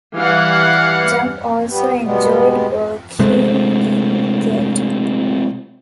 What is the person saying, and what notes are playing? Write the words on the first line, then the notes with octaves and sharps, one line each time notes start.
Jump also enjoyed working in theater.
E3 G3 F5 F#5
G3 B3
B2 G3 G#3 B3
C3 G#3 A3 C4